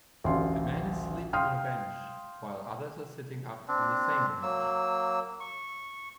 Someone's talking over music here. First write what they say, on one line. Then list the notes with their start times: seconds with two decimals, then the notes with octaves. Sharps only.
A man is sleeping on a bench while others are sitting up on the same bench.
0.24 A1 D2 E5 F5 C6
1.33 F5 G5 C6 D#6 F6
3.68 C4 D4
4.43 F#3 A#3 E6
5.40 C#6